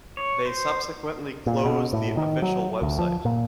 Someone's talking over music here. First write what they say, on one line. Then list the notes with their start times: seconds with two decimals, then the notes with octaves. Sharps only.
They subsequently closed the official website.
0.17 C#5
0.46 C5
1.46 A#2
1.65 B2
1.93 A2
2.17 D#3
2.42 F#3
2.82 D2
2.99 F3
3.25 A#2